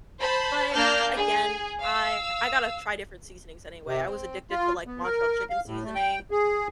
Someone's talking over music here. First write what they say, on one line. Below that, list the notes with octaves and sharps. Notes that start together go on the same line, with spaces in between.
but again, I I gotta try different seasonings anyway. I was addicted to, like, Montreal chicken seasoning,
C5 A5 B5
A#3 D4 A5 F6 G6
G#4
F5 E6
C3
C4
F4
B3
A#4
F5
A2
A3
G5
G#4